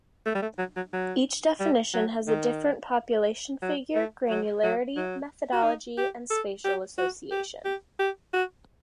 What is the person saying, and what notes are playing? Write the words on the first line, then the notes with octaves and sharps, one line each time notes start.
Each definition has a different population figure, granularity, methodology, and spatial association.
A3
G3
A3
F#3
F#3
F#3
G3
F#3
D#3
F#3
A3
F#3
F#3
F#3
F#4
D#4
G4
A4
G4
F#4
G4
G4
G4
F#4